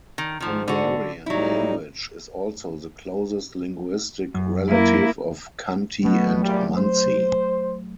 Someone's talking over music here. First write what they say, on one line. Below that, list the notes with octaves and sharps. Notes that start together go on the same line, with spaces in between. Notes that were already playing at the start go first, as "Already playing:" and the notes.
The Hungarian language is also the closest linguistic relative of Khanty and Mansi.
D#3
G#2 D#3 F3
D3 F#4
A2 F#3 G3 D#4 E4
F#2
A#3 E4
B2 F#3 A3 B3
E2 A#2 G3
C5